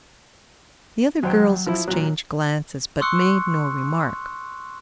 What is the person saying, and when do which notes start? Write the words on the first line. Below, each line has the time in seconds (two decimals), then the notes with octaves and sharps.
The other girls exchanged glances, but made no remark.
1.23 D#2 F#3 C5 G5
1.66 F3 E4
1.88 A#2 F#3
3.00 C6 C#6 D#6 E6 F#6 C#7